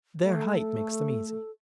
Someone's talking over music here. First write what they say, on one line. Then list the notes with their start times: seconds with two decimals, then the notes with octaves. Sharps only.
Their height makes them easy.
0.23 A3 A4